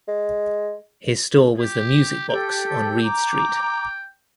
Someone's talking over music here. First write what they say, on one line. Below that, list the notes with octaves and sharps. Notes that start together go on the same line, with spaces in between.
His store was the Music Box on Reid Street.
G#3
G4
G4 A4 G5
A#5 D6